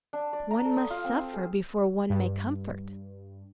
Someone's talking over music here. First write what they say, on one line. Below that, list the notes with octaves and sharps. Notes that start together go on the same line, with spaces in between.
One must suffer before one may comfort.
D4
D5
A#5
A4
D#6
F4
C4
C5
G#4
G2